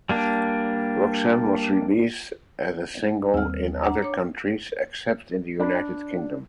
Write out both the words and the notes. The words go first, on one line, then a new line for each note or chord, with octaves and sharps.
"Roxanne" was released as a single in other countries except the United Kingdom.
G3 A#3 D4
D#2 G3 C4 E6 F6
D4 F#5 A#5
C#5 D6
D4 B5